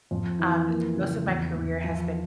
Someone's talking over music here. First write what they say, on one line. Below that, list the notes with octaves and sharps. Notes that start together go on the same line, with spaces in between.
um, most of my career has been
F2
E3
A#3
C#3
E2
E2
F3